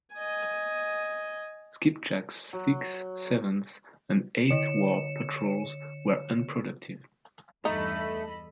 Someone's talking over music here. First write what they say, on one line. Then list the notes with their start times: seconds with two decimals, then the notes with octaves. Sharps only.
"Skipjack"'s sixth, seventh, and eighth war patrols were unproductive.
0.14 D#5 G#5
2.53 F#3
4.48 D3 C#5 C#7 E7
7.65 E2 G2 E3 A3 D#4 A4 D#5 B5